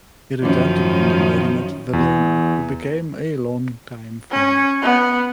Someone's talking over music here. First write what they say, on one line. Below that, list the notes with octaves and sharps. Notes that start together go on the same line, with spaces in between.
He returned to London where he met Verlaine, who became a long-time friend.
F#2 D#3 F3
E2
C#4
B3